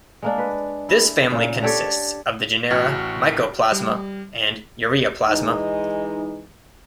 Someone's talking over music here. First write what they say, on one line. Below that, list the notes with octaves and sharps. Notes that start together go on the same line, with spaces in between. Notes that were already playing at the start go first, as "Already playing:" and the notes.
This family consists of the genera "Mycoplasma" and "Ureaplasma".
G#3 A#3 D4
B4
E4
A#2 C#3 A#3
D4 G4 A4 C#5
A1 F#4 F#5 G5 F6
G3
E3 G#3 D#4